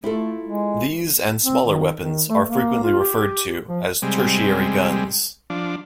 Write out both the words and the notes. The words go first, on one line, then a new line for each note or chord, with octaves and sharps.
These and smaller weapons are frequently referred to as tertiary guns.
A3 E4 F4 A4
G#3
C4
D#3
D#3
A3
A#3
F4
G4
F3
C3 G3 G#3
F3 D4